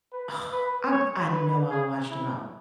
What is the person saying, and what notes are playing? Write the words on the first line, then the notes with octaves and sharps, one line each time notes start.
Oh, I I know I watched about
B4
B4
C#5
B4
G#4
E4